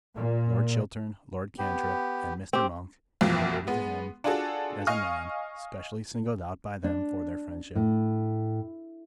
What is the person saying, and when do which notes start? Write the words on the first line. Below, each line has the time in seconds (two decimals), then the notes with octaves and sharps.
Lord Chiltern, Lord Cantrip, and Mr. Monk had alluded to him as a man specially singled out by them for their friendship.
0.15 A#2
1.58 B3 G4
2.53 C4 G4
3.21 C2 F2 B2 E3 F3 A#3
3.67 G#3 B3
4.24 D4 F4 F#4 G#4 A4
4.87 D#5 F5 G#5 C#6 F6
6.84 D4
7.75 A2